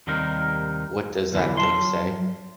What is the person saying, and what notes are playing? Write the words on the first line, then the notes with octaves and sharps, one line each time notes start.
What does that thing say?
D#2 C3 G3 A#3 D#4 A#4
B1 E2 D3 E3
F#3 A5 C6